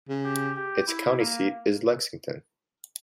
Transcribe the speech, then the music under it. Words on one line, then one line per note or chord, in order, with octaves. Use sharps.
Its county seat is Lexington.
C#3
G4
G4
E4
A#3